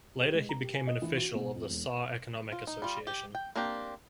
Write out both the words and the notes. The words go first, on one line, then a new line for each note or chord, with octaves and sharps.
Later he became an official of the Saar Economic Association.
G4
G#3
A#5
G4
G#5
D#5
E3
F#4
B2
F2
E1
F4
D#4
G3 F4
G4
G5
A#3 C4 D4 G4